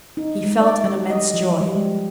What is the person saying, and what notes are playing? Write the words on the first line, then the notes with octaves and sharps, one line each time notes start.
He felt an immense joy.
D#4
G#3
D5
G3
D#5
F3
G3
G#3